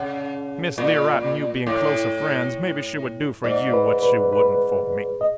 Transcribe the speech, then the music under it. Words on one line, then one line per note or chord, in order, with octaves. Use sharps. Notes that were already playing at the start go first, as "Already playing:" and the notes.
Miss Learight and you being closer friends, maybe she would do for you what she wouldn't for me.
Already playing: C#3 F#5
A#2
A2
G#2 D5
B4
B4
B4
D#5